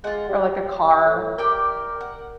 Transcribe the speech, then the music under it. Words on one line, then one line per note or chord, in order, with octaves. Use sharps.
or, like, a car.
G#3 F4 F#5
G3
A2
G4 A#4 D5 G5
F#5